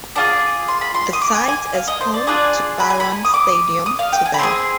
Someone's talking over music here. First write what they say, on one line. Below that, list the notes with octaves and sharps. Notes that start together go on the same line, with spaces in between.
The site is home to Barron Stadium today.
D4 F4 G#4 D6
C6
B5
C6
D#6
D6
G#5
G#5
F5
D#5
C5
D5
D4 F4 G#4 D5
B5
G#5
B5
D#6
D6
D#6
F5
G5
G#5
B5
C4 F4 G#4 C6